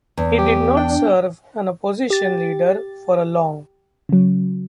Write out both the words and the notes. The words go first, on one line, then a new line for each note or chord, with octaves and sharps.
He did not serve as opposition leader for long.
E2
G4
D4 G5
G4 A6
C#3 F#3